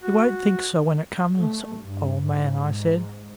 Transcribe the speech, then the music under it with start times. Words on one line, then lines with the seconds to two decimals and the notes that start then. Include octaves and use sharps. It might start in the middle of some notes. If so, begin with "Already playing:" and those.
'You won't think so when it comes, old man,' I said.
0.03 F#4
1.37 A3
1.78 G2
2.24 G#2
2.61 G#2